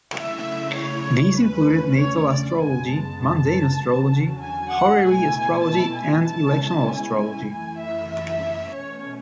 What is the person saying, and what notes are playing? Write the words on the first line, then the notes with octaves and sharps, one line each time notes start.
These included natal astrology, mundane astrology, horary astrology, and electional astrology.
C#3 F#3 A3 E4 E5
C#5
E2 D3 A3 C#4 B4
C#5
D5
F#2 C#3 G#3 B3 G#5
A5
E2 D3 F#3 C#4
G#5
F#5
B2 A3 E4 G#5
A5
G#5
B2 G#3 C#4 E4 A5
G#5
G#5
F#2 E3 A3 E4 G#5
E5
E5
B2 A3 C#4 C#5